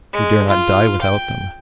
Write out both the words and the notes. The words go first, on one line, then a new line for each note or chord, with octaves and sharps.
We dare not die without them.
G#3
F4
G5